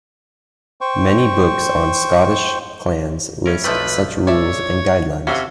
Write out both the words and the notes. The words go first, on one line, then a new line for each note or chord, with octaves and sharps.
Many books on Scottish clans list such rules and guidelines.
C5 G5 C#6
A2 C#4 A#4
B1 F3 A3 C4 E4 B4
C#5 D5 E5
C3 C#4 F#4 A4 F5